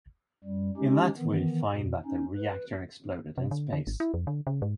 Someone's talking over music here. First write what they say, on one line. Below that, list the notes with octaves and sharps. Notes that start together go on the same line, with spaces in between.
In that we find that the reactor exploded in space.
F#2 G3
G#3 C#4 D#4 G4
D#3 E3 B3
F2 B2
C#4 D#4
B4
C3
D3
D3
G#1
E4
F2
D3
C#3
G#2